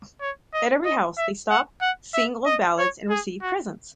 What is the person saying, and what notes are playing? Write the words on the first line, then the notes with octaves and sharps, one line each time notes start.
At every house they stop, sing old ballads, and receive presents.
C#5
D#5
D#5
E5
F#5
F#5
E5
D#5
C#5
G#4
F#4